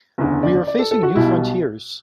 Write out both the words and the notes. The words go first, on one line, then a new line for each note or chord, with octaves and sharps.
We are facing new frontiers.
F#1 E2 D3
D5
D5
A4
A4
F#4
B1 B2 G3 E4